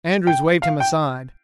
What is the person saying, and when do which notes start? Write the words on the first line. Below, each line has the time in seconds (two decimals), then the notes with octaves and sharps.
Andrews waved him aside.
0.27 G5
0.62 F5
0.80 G5